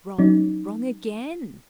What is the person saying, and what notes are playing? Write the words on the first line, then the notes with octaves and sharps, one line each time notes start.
'Wrong, wrong again.
F#3 C#4 D#4